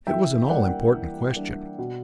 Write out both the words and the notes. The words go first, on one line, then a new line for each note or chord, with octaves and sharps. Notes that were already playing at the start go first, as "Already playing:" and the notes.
It was an all-important question.
E3 E5 G5
G3 A#3 D4 D5 F#5
E3
G3 A#3 D4
B2